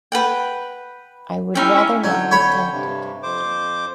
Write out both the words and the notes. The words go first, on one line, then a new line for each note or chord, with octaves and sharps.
I would rather not be tempted.
B4 F#5 G5
C#4 D#4 E4 G5
F2 D3 F#3 G5
C#5 B5
G2 C3
F2 C5 D6